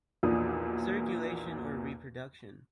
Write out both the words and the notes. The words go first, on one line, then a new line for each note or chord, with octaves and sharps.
Circulation or reproduction?
B1 E2 A#2 F3 D4 D#6